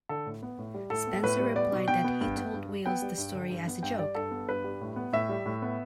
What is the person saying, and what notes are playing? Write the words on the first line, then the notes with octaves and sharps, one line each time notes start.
Spencer replied that he told Wales the story as a joke.
D3 A4
A2
B3
A2
G3
A2 A4
B3
A2 B4
G3
B3 D5
B2
B2 G5
B3
G2
B3
G2
G3
B3 G5
G3
G2
D3
G2
B3
G2 G5
G3 D5
G2 A4
B3
G2 B4
G3
A2
B3
A2 E5
G3
A2
B3